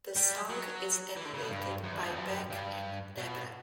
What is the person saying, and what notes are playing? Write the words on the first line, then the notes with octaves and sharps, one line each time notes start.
The song is emulated by Beck in "Debra".
G3
F#3
E3
D3
C#3
B2
G2
F#2
E2
F#2
E2
F#2
G2
B2